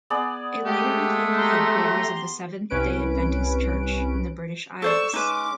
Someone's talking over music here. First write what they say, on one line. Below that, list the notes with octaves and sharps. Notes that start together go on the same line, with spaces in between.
It later became the headquarters of the Seventh-day Adventist Church in the British Isles.
B3 G#4 D5
G#3 A3 G4
G4 A#5 C6
C2 C#4 B4 D7
A4 C5 D5 C#6 E6
G#3 C#4 D#4 B4 D6